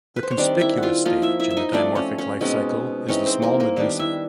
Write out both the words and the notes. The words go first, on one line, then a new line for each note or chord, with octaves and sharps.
The conspicuous stage in the dimorphic lifecycle is the small medusa.
B4
C5
C#5
D#3 G3 C4 D4 D5
E4 E5
F#5
F4 F5
F3 A#3 D#4 F4 F5
E4 E5
E4 E5
E5
D#4 D#5
F3 A3 C4 D4 D5
C#4 C#5
C#4 C#5
B2 G#3 C4 C#4 D#4 C#5
E3 G#3 C4 C#4 D#4 C#5
C4 C5
A#3 A#4
A#3 A#4
D#3 G3 B3 D4
E4 E5